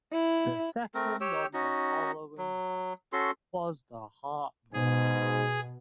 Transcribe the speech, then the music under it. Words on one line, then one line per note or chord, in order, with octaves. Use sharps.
The second on the following night was the Heartbreakers.
E4
A3 C4 A#4
G4 C#5 G5 E6
C#4 D#4 F#4
F#3
C#4 F#4 A4 C6
G#2 B2 G#4